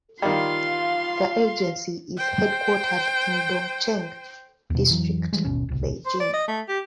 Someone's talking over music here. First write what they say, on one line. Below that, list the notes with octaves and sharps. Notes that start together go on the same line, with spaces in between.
The agency is headquartered in Dongcheng District, Beijing.
D#3 G3 F4 F5 C6
C5 G5
D#2 B2
F2 E3 F#3
E3 G3 G#3
D#1 G#1 B2 C#4
D1 C2
C5
D5
D#5
A3
G4